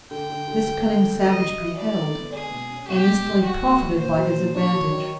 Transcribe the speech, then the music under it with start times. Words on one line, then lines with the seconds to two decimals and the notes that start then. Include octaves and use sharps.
This cunning savage beheld, and instantly profited by his advantage.
0.11 D3 G5
0.29 D3
0.48 D3
0.67 D3
0.85 A3
1.03 D3
1.22 F#3 D#5
1.40 F#3
1.59 E4
1.77 E4 D5
1.96 D3
2.14 B3
2.33 G#3 G#4
2.51 B2
2.70 C#4
2.88 B2 G4
3.06 B2
3.25 G#3
3.44 F#3 F#4
3.62 A#2
3.81 A#2
3.98 A#2 C5
4.17 F#3
4.36 A#2
4.55 D4 C#5
4.73 F#3
4.92 D#3